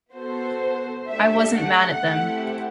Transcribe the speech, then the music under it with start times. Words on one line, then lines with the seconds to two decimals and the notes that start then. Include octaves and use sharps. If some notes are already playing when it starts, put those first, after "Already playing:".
I wasn't mad at them.
0.13 B3 F#4 A4 C5
1.07 A3 D4 G4 E5
1.55 F#5
2.02 A3 C4 E4 G4